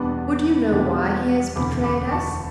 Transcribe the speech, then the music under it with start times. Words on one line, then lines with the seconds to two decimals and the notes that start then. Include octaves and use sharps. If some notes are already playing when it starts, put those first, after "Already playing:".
Would you know why he has betrayed us?
Already playing: E2 B2 G3 B3 D4 B5 D6
0.72 E2 B2 G3 B3 D4
1.55 E1 D2 C#3 E3 B5 D6
1.84 B5 D6
2.08 D6
2.11 A5 C#6